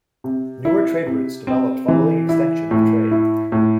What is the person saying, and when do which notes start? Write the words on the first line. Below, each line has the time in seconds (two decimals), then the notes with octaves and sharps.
Newer trade routes developed following extension of trade.
0.24 C3
0.65 E4
1.07 C3
1.47 C4
1.88 E3
2.29 E4
2.71 A2
3.11 E4
3.52 A2